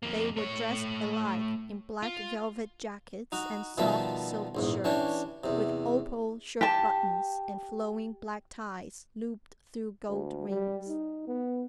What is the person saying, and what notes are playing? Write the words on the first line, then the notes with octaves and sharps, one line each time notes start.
They were dressed alike, in black velvet jackets and soft silk shirts, with opal shirt-buttons and flowing black ties looped through gold rings.
F2 A#3
A3 C#5
F4
D#4 F#4
B2 D#3 F3 G3 A4 E5
A#1 E2 G#2
E3 C#4 D4 G4 C#5
E2 C3
G4 A5
D2
G3
D#4
B3